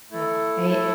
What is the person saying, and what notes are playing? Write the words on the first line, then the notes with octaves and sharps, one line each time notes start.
Yeah, I
A3 E4 A4
A3 E4 A4